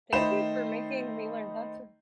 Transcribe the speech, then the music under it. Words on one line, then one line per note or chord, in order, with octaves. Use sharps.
Thank you for making me learn that's a
D#3 A3 D#4 C5 B5 E7